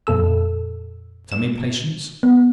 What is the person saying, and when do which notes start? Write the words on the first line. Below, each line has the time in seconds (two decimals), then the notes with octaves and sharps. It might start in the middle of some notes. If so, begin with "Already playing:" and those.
Some impatience.
0.07 F2 A#2 A4 E6
1.32 E7
2.23 B3